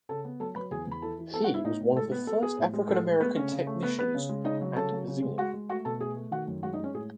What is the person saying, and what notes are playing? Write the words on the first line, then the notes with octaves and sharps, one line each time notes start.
He was one of the first African American technicians at Zenith.
C#3 A4 A5
B3
F#3 A4 A5
F#3 B4 B5
E2 G#4 G#5
E2 B5
E3 A4 A5
E3
B3 A4 A5
F#4 F#5
B3
E4 E5
A2 D#4 D#5
A2
G#3 A4
B3 B4
B3 A4
B3 G#4
A2
G#3
A2 A4
G#3
A3 B3 B4
C#3 C#4 C#5
C#3
A3
B3 B4
B3 B4
C#3
G#3
C#3 D#4 D#5
F#3
C#3 A4 A5
F#3
C#3
G#3
G#3 F#4 F#5
G#3
A3 F#4 F#5
B2 A4 A5
A3 G#4 G#5
A3
D#3 F#4 F#5
F#2
G#3 F#4 F#5
D#4 D#5
G#3 C#4 C#5
A2 G#4